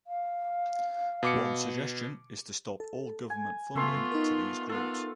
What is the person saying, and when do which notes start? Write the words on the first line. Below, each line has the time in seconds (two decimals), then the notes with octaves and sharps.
One suggestion is to stop all government funding to these groups.
0.07 F5
1.23 B2 D6 C#7
2.80 A4
3.30 G#5
3.75 C#3 A3 B3 F4 E5 C6
4.12 D#4 A#4
4.69 B3 F4 A4